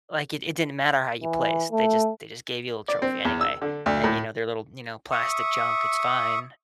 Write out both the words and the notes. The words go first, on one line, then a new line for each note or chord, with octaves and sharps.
like, it it didn't matter how you placed. They just they just gave you a little trophy anyway. And, you know, they're little, you know, plastic junk. It's fine.
E3
A3
D5
C4
E2
E6
D3
D2
A2
E5 C#6 D#6